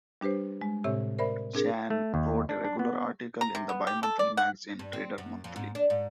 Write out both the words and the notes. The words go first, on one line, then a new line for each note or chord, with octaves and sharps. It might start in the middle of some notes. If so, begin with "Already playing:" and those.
Chan wrote a regular article in the bi-monthly magazine "Trader Monthly".
G3 D4 G4 B4 C5
G#3
A2 C3 C4 G4 C#5 E5
A#4 C5 D5 E5 B5
C4 D4 G#4 A#4
A3
D#2
D4
D4
B3
A#5
C3
B3
G4
A4
D5
F#5
G2
C4
F#2
F2
G#2
D4
G#2